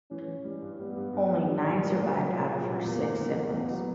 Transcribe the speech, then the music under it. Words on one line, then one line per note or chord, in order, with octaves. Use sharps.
Only nine survived out of her six siblings.
E3 C#4
E3
G3
G2
G3 B3
G2
G2
G2
A#2 G3
A#2
A#3
A#3
F#3 A#3
A#2
A#2
G3
E2 A#3
E2
D3
E2
E2 B3
F#3